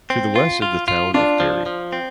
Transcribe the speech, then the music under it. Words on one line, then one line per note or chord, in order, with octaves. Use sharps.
To the west is the town of Gerry.
C4
F4
F4
F4
D4 F4
F3
F3
C4